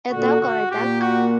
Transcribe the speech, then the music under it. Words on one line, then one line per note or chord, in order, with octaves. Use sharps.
A dog or a duck?
A#2 D3 F#4
F#4
A#2 G4
F#4